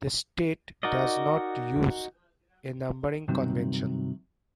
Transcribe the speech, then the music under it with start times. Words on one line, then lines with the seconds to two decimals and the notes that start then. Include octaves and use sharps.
The state does not use a numbering convention.
0.83 D#4 F#4 A#4 D5 D#5
3.28 G2 C3 D#3 F#3